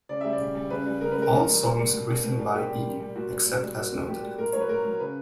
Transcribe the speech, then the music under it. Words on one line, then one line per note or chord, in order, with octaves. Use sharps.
All songs written by E, except as noted.
C#3 D5
G3 E5
D5
C#3
G3
C#3 B4
G3
C#3 A#4
B4
G3
A#4
A#2
G3
A#2
G3
B2
G3
B2
G3
A#2 G4
G3
A#2
G3
A#2 F#4
G3
A#2
G3
A#2 F#4
G3
A#2 G4
G3
A#2 A#4
F#3 C#5
B4
A#2 A#4
F#3
C#3 B4